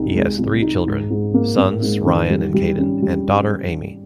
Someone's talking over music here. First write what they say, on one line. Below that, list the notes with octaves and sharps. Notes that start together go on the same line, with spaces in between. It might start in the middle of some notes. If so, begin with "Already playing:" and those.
He has three children: sons Ryan and Caden, and daughter Aimee.
Already playing: C2 D#4
G#3
C2
D#4
G#2
G#2
A#3
A#3
G#2
D#3
G3
G3
C#4
G3